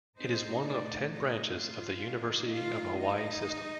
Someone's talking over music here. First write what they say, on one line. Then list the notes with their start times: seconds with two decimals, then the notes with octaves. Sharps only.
It is one of ten branches of the University of Hawaii system.
0.18 A#2 A3 C4 D#4 C5
0.65 D4 D5
1.11 D#4 D#5
1.58 F4 F5
2.05 D#3 A3 D#4
2.52 F4 F5
2.98 D#4 D#5